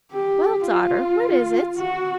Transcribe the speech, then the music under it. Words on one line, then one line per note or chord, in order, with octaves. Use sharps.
"Well, daughter, what is it?"
G4
F4
F#4